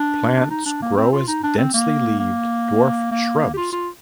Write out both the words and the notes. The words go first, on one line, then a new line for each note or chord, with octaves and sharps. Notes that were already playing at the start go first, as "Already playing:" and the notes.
Plants grow as densely leaved dwarf shrubs.
Already playing: D4
D4
D#4
D4
A#3
C4
F4
D#4
D4
C4
A#3
A#3
A#3
G4
F4
F4